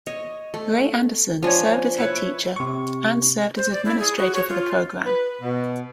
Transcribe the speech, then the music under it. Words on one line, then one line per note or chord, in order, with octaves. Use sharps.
Ray Anderson served as Head Teacher and served as administrator for the program.
C#5 D#5
A3
F3 D4 C#5 G#5
E4 B4 C#5
C3 C#6
C5
D5
E4
G#4
F#4
C#5
F4
B4
B2